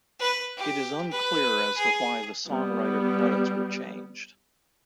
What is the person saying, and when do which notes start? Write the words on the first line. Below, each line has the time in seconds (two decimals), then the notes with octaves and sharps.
It is unclear as to why the songwriter credits were changed.
0.20 B4
0.57 G4
1.11 B4
1.77 G#4
2.47 G3 B3